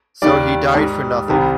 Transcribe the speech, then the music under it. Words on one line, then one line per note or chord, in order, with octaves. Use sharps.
So he died for nothing.
D#2 D#3 G3 D5
G#2 G3
C2 C3 D#3 G3